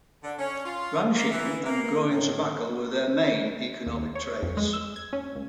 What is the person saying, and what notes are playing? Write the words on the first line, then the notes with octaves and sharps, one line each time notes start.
Ranching and growing tobacco were their main economic trades.
D3
C#4
F4
A#3
E3
A#3
A2
D#2
C#5
F2
G#3
E6
G#6
C#4
C#2